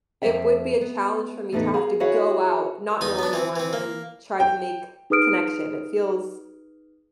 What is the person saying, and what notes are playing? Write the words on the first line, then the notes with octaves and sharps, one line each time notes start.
it would be a challenge for me to have to go out, not know anyone, and try to make connection. It feels
F2 C4 C5 E5 G5
B3
E2 A2 A3 B3 D#4 B4
G#4 A#4 F5
E4 F#4 G#4 C#5 E5 F5
E2 D#4 D#6
B3 D4
E3 C4
E3 C4
A#3
G5
D#4 G#4 B4 D#6 F6 D7